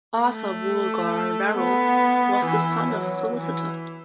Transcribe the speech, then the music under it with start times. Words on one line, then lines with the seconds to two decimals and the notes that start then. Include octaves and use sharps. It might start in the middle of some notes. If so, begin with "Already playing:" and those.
Arthur Woollgar Verrall was the son of a solicitor.
0.21 A3
1.56 B3
2.46 E3
2.91 F#3
3.37 E3